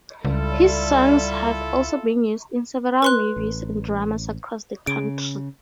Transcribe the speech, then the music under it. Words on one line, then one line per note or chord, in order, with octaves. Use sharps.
His songs have also been used in several movies and dramas across the country.
C#2 D3 G3 E4 F4 A4
B4 C6 F#6
A1
C#3 D7